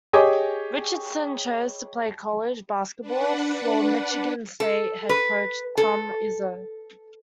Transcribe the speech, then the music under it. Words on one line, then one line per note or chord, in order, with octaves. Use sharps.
Richardson chose to play college basketball for Michigan State head coach Tom Izzo.
G4 G#4 C#5 D#5 G#5 D6
D4 B4 F#5
A4
B4
A4